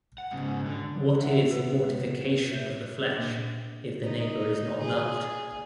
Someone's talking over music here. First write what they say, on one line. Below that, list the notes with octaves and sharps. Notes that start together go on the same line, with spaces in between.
What is mortification of the flesh if the neighbor is not loved?
F#5
G#2 C#3
D3
E5 F#5
C3 B3
G#3
E5 G6
A#2 A#3 D4 D#5
D#4
G#4